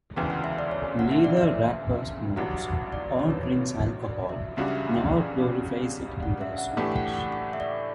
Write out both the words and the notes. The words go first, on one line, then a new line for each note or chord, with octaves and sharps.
Neither rapper smokes or drinks alcohol, nor glorifies it in their songs.
E1 D2 C#3 E3 G5
F#5
E5
D5
C#5
F#5
E5
D5
E5
A1 G2 F#3 F#5
F#5
D5
C#5
B4
C#5
D5
E5
C#2 C#3 G3 D4 F#4 E5
E5
F#5
G5
F#5
E5
F#5
A2 E3 A3 D4 G4
G5
F#5
F#5
F#5
E5
D5